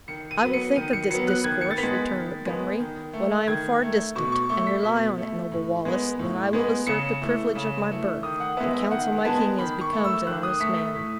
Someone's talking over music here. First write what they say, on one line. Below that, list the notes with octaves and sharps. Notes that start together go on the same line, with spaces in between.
"I will think of this discourse," returned Montgomery, "when I am far distant; and rely on it, noble Wallace that I will assert the privilege of my birth, and counsel my king as becomes an honest man."
D#3 C#7
D#7
F#3 B3 D#7
C#7
D#3 D#7
C#7
F#3 B3 C#7
F#6
D#3 G#6
C#7
A6
B3 B6
G#3
D#3
G#3 B3
D#3
A3
D#3 G#6
A3
B2 C#6
C#6
A3 C#6
B6
B2
A3
A2
G#3 B3
A2
G#3 B3
C#3 C#7
E3 A3
C#3
E3 A3
D#3 D#6
F#5
G#3 B3 E5
E5
D#3 F#5
G#3 B3 A5
D#3 B5
C#6
A3
E6
D#3 F#6
D#6
A3 B6
B6
A2